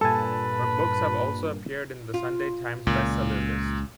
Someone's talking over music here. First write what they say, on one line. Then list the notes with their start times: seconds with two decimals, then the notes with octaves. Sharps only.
Her books have also appeared in the "Sunday Times" best-seller list.
0.01 G2 A#2 A4 B4 G#5 A5
2.14 F4
2.87 C#2 A#2